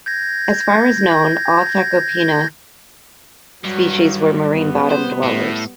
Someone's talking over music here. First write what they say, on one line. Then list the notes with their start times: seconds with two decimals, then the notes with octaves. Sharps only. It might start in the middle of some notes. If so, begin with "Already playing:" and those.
As far as known, all Phacopina species were marine bottom-dwellers.
0.06 G6 G#6 A#6
3.64 G2 F#3
4.48 G3 B3
4.91 C5
5.23 A2